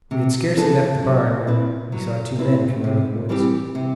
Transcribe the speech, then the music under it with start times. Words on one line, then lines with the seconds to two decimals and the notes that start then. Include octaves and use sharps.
We had scarcely left the barn when we saw two men come out of the woods.
0.11 C3
0.57 E3 B3 D4 A4
1.02 F#3
1.47 C4 E4 B4
1.92 F#3
2.39 C4 E4 B4
2.84 C3
3.29 E3 G3 C4 G4
3.75 C3